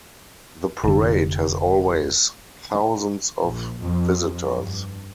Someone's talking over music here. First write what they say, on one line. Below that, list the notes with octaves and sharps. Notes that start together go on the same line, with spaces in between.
The parade has always thousands of visitors.
F1 D3
A#1
F2
G2